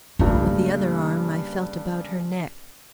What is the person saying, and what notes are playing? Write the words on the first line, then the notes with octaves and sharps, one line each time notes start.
With the other arm I felt about her neck.
G2 C#3 A3 A#3